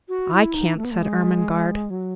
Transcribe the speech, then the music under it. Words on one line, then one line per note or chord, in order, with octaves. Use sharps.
"I can't," said Ermengarde.
F#4
E4
D#4
A3
B3
A3
G#3
F#3